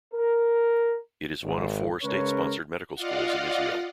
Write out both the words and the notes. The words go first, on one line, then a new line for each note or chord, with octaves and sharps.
It is one of four state-sponsored medical schools in Israel.
A#4
G#1 G#2
C#3 G#3 C#4 A#4 B4 C#5
F4 D5 D#5 F5 F#5